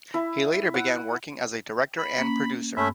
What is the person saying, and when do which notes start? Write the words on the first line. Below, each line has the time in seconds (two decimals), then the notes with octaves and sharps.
He later began working as a director and producer.
0.14 E4
0.74 F#5
1.98 B5
2.18 A#3 C#4
2.77 G2 A3 C#4 E5